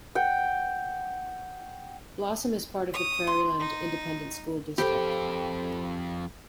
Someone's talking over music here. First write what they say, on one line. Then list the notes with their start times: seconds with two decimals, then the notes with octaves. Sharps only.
Blossom is part of the Prairiland Independent School District.
0.15 F#5 G5
2.94 C#5 D#6
3.27 C6
3.60 D#4
4.78 F2 G4 A4 C5 G5 B5